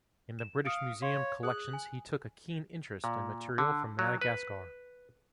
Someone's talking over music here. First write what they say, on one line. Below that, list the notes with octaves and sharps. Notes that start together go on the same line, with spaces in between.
In the British Museum collections he took a keen interest in material from Madagascar.
E7
F5 D#6 C#7 D7
C#5 F5 C6
G#4 D#6 F#6
G#5
A#2
D3
F#3
B4